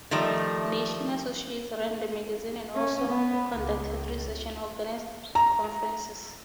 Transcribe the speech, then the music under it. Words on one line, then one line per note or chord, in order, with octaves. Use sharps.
Nation Associates ran the magazine and also conducted research and organized conferences.
D#3 F3 G3 A3
C#4
B3
C#2
A#5